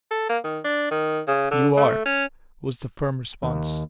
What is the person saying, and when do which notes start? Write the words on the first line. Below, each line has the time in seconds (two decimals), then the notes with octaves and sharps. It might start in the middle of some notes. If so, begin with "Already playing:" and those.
"You are," was the firm response.
0.11 A4
0.29 A#3
0.44 D#3
0.64 D4
0.91 D#3
1.28 C#3
1.51 D3
1.77 A3
2.06 C#4
3.43 D#2